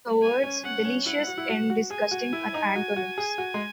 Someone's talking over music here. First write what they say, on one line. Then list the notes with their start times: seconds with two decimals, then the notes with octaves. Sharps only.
The words delicious and disgusting are antonyms.
0.22 G#5
0.44 C#4
0.63 C#4 F#5
0.85 C#4
1.06 E4 F#5
1.27 F#4
1.38 E4
1.48 F#4
1.70 F#4
1.91 G#4 G#5
2.11 F#4
2.33 E4
2.54 D#4
2.76 F#4
2.96 F#4
3.18 G#4
3.38 F#4
3.54 G#3